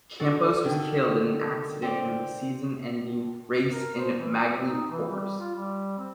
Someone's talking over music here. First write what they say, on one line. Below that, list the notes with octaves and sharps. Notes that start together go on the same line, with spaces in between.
Campos was killed in an accident at the season-ending race in Magny Cours.
D4 F#4 A4
D3 D#3
C4 D5
A#4
C5
E3
C4
D#4
E3
G3
F4
G3
C4